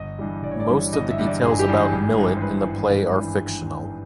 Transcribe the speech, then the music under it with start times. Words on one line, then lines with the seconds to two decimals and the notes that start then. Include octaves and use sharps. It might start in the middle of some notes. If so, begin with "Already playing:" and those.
Most of the details about Millet in the play are fictional.
Already playing: G1 D#5
0.19 G2 E3 G3
0.43 G1 D5
0.51 C#5
0.60 D5
0.68 G2 E3 G3
0.93 G1 D#5
1.10 E5
1.18 G2 E3 G3
1.26 D5
1.43 G1 G#4
1.59 G4
1.68 G2 E3 G3
1.77 G#4
1.92 G#1
2.18 G2 E3
2.37 C5
2.42 G#1 B4
2.67 G2 E3
2.92 G#1
3.17 G2 E3